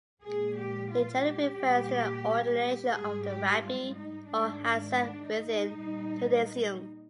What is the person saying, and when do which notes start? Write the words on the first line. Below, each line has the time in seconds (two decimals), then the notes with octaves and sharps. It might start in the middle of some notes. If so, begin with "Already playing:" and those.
It generally refers to the ordination of a rabbi or hazzan within Judaism.
0.21 A#2 F3 G#3 G#4
0.54 G4
0.89 F4
1.23 G4
1.57 A#2 G3
2.91 G#2 G3 G#4
3.25 G4
3.59 F4
3.94 D#4
4.27 G#2 D#3 G#3 D4
4.95 D4
5.29 D#4
5.63 A#2 G3